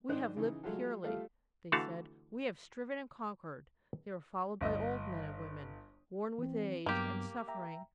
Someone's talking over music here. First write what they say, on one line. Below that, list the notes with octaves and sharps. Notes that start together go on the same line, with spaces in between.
"We have lived purely," they said, "we have striven and conquered." They were followed by old men and women, worn with age and suffering.
G#2 D#3 D4 C5 D#5 F#6
C#3 E3 D#4
F#3 G#3 A3 F4 F#4 A4
G3 A3 F4 A4 F5
D3 E3 A3 F#4 F5 A5
G1 D#5
E3 C4
G2 F#3 A#3 B3 G4
E5 G5 A#5